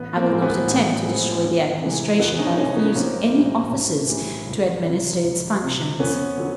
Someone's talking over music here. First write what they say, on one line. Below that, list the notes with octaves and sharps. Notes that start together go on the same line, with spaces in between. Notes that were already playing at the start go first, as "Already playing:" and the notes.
I will not attempt to destroy the Administration by refusing any officers to administer its functions.
Already playing: A1 B3
A#3 C4
A2 F3 G#3
B3
A1
A2 F3 G#3
E2
C3 E3 G#3
E2 B3
C#4 D#4
C3 E3 G#3 C#4 D#4
B3 C#4
B1 A#3 C4
A2 E3 G3
B1
A2 E3 G3
C#2
C3 F3
C#2
C3 F3
F2 B3 C#4
D3 F#3